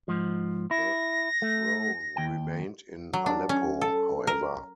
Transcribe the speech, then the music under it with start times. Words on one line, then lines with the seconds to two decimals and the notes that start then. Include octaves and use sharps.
The throne remained in Aleppo, however.
0.08 G#2 F3
0.71 E4 A#6
1.42 A3
2.16 D#2 G5
3.13 F#3
3.26 D4
3.49 C#4
3.81 A4
4.27 A#4